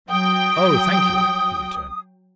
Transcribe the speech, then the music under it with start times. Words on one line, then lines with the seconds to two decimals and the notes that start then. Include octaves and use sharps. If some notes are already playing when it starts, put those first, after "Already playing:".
"Oh, thank you!" he returns.
0.10 F#3 G5 D#6